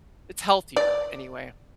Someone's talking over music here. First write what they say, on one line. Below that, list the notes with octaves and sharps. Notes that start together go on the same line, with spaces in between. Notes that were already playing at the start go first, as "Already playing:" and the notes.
It's healthier, anyway.
D5